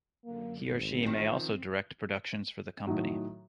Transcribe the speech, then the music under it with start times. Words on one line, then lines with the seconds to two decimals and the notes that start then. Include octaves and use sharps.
He or she may also direct productions for the company.
0.25 F#2 D3 A#3
0.68 G#1 C4
1.03 D#3 F3
2.87 A2 D#3 F#3